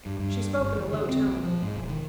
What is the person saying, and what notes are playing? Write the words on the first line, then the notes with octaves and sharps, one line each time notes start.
She spoke in a low tone.
G2
G2
G1
E2
D3
C4
A#1
F3
G#2
E1
D#3